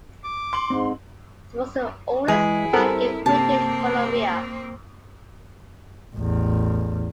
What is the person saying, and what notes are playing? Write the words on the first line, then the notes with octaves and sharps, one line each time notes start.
It was the oldest bank in British Columbia.
D6
C6 F#7
G#2 C4 D4
E3 G#3 E4 G#4 B6
G3 C4 A4 A#4
C3 A#3 C4 A5
A1 E2